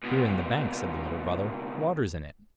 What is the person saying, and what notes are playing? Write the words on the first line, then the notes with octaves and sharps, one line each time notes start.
"Here in the bank," said the little brother; "water's in it."
C#2 B2